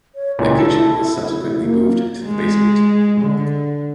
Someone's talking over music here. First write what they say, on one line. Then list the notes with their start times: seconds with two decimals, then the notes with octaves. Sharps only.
The kitchen was subsequently moved to the basement.
0.15 C#5
0.39 C#2 A#2 E4
0.59 A4
1.60 A#3
2.26 G#3
3.21 D3